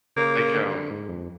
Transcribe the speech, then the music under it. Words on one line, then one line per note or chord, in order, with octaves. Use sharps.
Like, um,
C#3 A#3
D3
G#2
F2